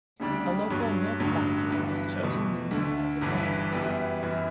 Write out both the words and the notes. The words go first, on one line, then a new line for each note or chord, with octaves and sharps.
A local milk-factory has chosen the name as a brand.
D2 C#3 G3 D4
G2 F#3 C#4
A1 G2 D3 F#3
G1 G2 E3 B3
E2 B2 A3
D2 D3 A3
G1 G2 E3
F#2 E3 G3 B3
F#2 E3 B3 E4